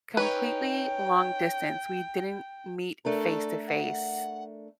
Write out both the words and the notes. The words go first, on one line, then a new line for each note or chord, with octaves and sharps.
completely long distance. We didn't meet face to face,
C#4 D#4 B4 C#5 G5
A3 D4 A4 A#4
F#5